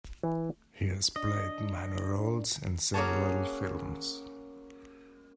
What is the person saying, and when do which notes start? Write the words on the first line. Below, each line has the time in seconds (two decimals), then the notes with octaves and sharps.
He has played minor roles in several films.
0.23 E3
1.16 D4 D#5
2.94 A#3 C#4 F#4 G#4 C#5 A5